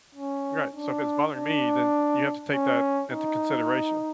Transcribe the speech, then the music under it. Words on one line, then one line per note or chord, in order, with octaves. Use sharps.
Right, "So if it's bothering me, then you have to take that into consideration."
C#4
D4
D4
C#4
D#4